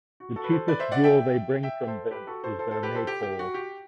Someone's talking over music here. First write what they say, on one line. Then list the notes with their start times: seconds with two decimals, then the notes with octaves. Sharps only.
The chiefest jewel they bring from thence is their Maypole.
0.20 F#4
0.36 F#4 A4
0.44 B4
0.51 A4 C5
0.68 B4 D5
0.79 C5 E5
0.91 D5 F#5
1.04 E5 G5
1.63 E5 G5
1.87 A4 C5
2.11 G4 B4
2.27 F#4 A4
2.44 A4 C5
2.59 A4 C5
2.71 A4 C5
2.83 G4 B4
2.95 A4 C5
3.07 G4
3.23 G4
3.39 F#4
3.54 G4